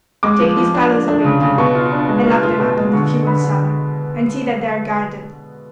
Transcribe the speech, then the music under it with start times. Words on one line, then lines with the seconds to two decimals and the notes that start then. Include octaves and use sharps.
Take these fellows away, Peter, and lock them up in the fuel-cellar, and see that they are guarded.
0.23 G#3 D6
0.40 F3
0.57 F3
0.74 D4
0.90 D4
1.08 D4
1.24 C#3
1.41 C#3
1.58 B2 C#6
1.75 F4
1.92 D4
2.09 G#3
2.26 F4
2.43 F4
2.60 B2
2.76 G#3
2.93 D3 C#6
3.10 D3
3.27 D3 B5
3.44 D3